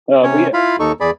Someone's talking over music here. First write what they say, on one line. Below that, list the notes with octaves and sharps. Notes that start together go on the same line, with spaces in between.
Uh, but yeah. M
C3 C#4 C#5
E4 F4 F5 B5
D#2 D#4 A4 C#6
E2 G#4 D5 B5